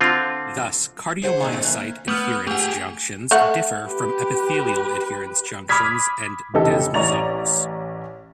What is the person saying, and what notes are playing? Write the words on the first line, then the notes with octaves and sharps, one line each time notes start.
Thus cardiomyocyte adherens junctions differ from epithelial adherens junctions and desmosomes.
D3 C4 F4
G#4 C5 F#5
A#2 D3 D#3
D3 A3 C4
E3 A#3
A3 B3 D#6 F6
A3 G4 G#4 F#5
A3 F#5
G4 B4
B5 D6 D#6 F6 G#6 B6
F1 C#3 E3 D#4 G4 A4
A1 D5 A#5 C#6 A6 F7